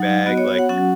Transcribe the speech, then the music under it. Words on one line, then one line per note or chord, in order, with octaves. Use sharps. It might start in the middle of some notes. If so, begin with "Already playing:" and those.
vague, like
Already playing: F#3 D#4 F#5
B3 F#4 D#5
C#5
C#5
F#5
F#3 C#4 F#4 F#5